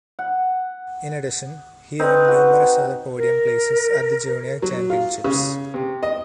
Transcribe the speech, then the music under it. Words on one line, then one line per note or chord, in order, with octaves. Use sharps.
In addition, he earned numerous other podium places at the junior championships.
F#5
C4 D#4 B4
F#4
A#4
F#3
F4
C#3
C3
D#5